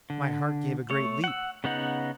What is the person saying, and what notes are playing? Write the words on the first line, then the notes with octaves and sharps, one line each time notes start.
My heart gave a great leap.
D3
A3 C#5
F#5 E6
C#3 B3 D#4 F#5